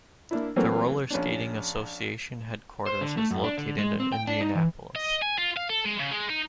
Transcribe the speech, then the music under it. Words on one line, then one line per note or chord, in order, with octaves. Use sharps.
The Roller Skating Association headquarters is located in Indianapolis.
A#3 D4 E4
E3 F#3 A3 A#3 C4
A#1 C#4 D4
C5
D3
A3
F#2
D4
D3
G#3
C4
G5
D4
D#4
E3
D#5
G#5
F4
F5
A4
G#3
C#3
G#3
D#4